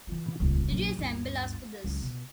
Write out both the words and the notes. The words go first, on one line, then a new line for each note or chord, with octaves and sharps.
Did you assemble us for this?
E3 F4
D#1 C#2
A#1 F#3
G1 D2
C#2 F#3
B2